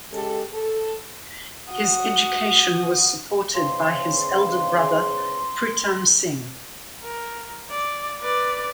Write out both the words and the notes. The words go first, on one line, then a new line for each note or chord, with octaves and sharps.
His education was supported by his elder brother Pritam Singh.
C#3 G#3 G4 A4
A4
F#4 D#6
E2 G#2 C#3 C6
A#4
D5
B4 D5